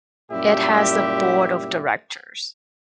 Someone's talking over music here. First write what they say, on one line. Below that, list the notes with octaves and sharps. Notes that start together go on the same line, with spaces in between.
It has a Board of Directors.
F#2 A#2 G3 E4 G4 E5